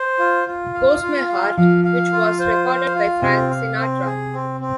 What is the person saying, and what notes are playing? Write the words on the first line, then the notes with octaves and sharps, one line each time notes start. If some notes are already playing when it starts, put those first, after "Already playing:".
Goes My Heart, which was recorded by Frank Sinatra.
Already playing: C5
F4
F4
F5
F4
F5
F3 F5
F5
F4
C5
F5
F4
C3 C4
F5
C4
G#4
C4
C4